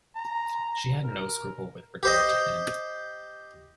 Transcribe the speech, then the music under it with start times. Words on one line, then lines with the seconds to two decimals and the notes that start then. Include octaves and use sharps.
She had no scruple with regard to him.
0.16 A#5
1.04 A#4
2.03 G4 C5 D#5